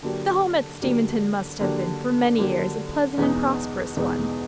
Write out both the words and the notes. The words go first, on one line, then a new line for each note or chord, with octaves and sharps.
The home at Steventon must have been, for many years, a pleasant and prosperous one.
D3 F#3 A#3 D4 G4
D3 F#3 A#3 D4 G4
D3 F#3 A#3 D4 G4
D3 F#3 A#3 D4 G4
E2 B2 G#3 B3 D#4
E2 B2 G#3 B3 D#4